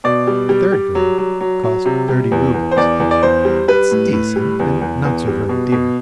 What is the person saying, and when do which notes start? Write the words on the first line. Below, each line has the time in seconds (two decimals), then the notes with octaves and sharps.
The third grade cost thirty roubles; it's decent and not so very dear.
0.04 B2 D5
0.27 G3
0.49 G3
0.72 G3
0.95 F#3
1.18 F#3
1.40 F#3
1.63 F#3
1.85 C3
2.09 G3
2.32 E2
2.54 E2
2.72 C5
2.76 E2 D5
3.00 E2
3.11 D5
3.23 E2 C5
3.45 G3
3.68 G3 B4
3.91 A2
4.13 A2
4.36 G3
4.60 E2
4.81 E2
5.05 E2
5.28 G3
5.49 B2
5.72 B2